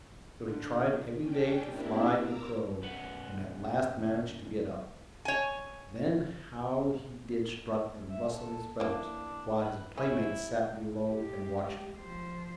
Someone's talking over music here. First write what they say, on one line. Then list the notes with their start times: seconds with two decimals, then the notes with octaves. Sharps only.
So he tried every day to fly and crow, and at last managed to get up; then how he did strut and rustle his feathers, while his playmates sat below and watched him.
0.48 D3
1.20 C#4 D4 G5
1.69 A#3 C4 D4 E4 G4
2.19 A#4 A#5 D6 E6
2.81 B1 F#2 B4 F#5
5.25 C#5 G#5
8.10 E5
8.32 A4
8.80 E3 A#3 D4
9.60 B4
9.98 C#4 E4
11.07 G#3 G4
11.99 F3 C5